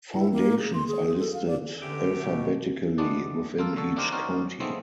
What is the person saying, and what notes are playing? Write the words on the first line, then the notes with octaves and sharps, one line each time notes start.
Foundations are listed alphabetically within each county.
E4
A#3
G#4
C6
G#4
A4
F5
D5
F#2 D3 A3 G4
B2
G#3 A3 B3 D4 D5
A#3 F4 A4
D3 F#4 A4
A#3 D4 D#4 G4 A#4 C5
C#4 D#4 F#4 A#4 C5 D5
C#3 F3 G#3 A3 B3 C4